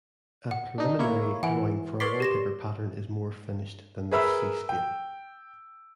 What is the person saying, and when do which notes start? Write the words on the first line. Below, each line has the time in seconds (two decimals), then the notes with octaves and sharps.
A preliminary drawing for a wallpaper pattern is more finished than this seascape.
0.51 F#5
0.78 D4 D#4
0.99 A#3 E4 C#5
1.43 E3 F#5 G#5
2.00 A#4 B4 C#5 D5 C6 B6
2.20 G4 A#6 E7
4.11 G#4 A#4 B4 E5 B5 E6
4.69 G5